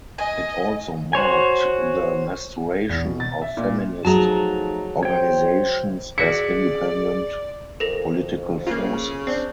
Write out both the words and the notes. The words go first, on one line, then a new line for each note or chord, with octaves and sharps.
It also marked the maturation of feminist organizations as independent political forces.
D#5 G#5
F#4 C5 C#5 G#5
E2
B2
A6
E5
A#2
F3 F#3 A3 D#4 G#4 A5 A#5
C5 C#5 G5
E4 F#4 G#4 D5 C#7
F2 A4 A#4 A#6
C#3 A#3 F4
C4 D4